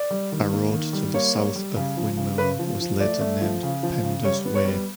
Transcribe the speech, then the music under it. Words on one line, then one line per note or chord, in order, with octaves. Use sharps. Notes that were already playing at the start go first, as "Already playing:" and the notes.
A road to the south of Whinmoor was later named Penda's Way.
Already playing: D5
G3
D#3
A#3
D#3
G3
A#3 C#5
G3
G3
C#3
F3
C#3
C#3 B4
F3
F3
A3 D5
A3
F3
C#3
F3
C#3
G3 C#5
B3
C#5
G3